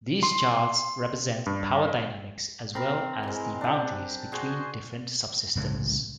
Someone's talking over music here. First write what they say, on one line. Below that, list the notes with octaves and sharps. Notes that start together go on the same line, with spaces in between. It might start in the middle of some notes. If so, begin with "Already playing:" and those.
These charts represent power dynamics as well as the boundaries between different subsystems.
C6
G2
C4 A#4 B5
E3 G#3
D4 G4
F#4 G#4 C5
C2 A2 C#3 G#3